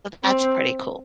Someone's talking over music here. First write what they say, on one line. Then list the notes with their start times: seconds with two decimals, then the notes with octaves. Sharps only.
So, that's pretty cool.
0.24 C4